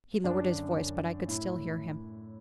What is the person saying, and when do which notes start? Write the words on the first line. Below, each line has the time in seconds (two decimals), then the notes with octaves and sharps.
He lowered his voice; but I could still hear him.
0.24 F#2 D4
0.50 D3
0.76 F#2
1.02 D3
1.28 A2 E4